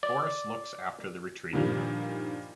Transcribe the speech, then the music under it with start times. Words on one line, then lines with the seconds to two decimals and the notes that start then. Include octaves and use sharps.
Boris looks after the retreating girl.
0.03 D5
1.53 G2 A#2 D#3 F3 G3